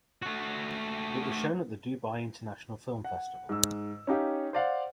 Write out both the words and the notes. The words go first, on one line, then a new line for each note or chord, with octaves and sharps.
It was shown at the Dubai International Film Festival.
A3 F#4
F#5
G#2 E6
C#4 D#4 G4 F5
C5 D5 F5 F#5